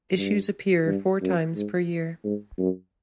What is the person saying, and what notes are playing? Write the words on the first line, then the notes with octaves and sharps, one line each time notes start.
Issues appear four times per year.
G2
G2
F#2
G#2
G#2
F#2